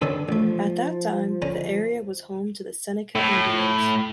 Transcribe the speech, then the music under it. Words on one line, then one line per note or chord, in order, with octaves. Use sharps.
At that time, the area was home to the Seneca Indians.
D3 D#3 C#4 D4 B4 E6
A1 F3 A3
D3 C#4 A#5
A2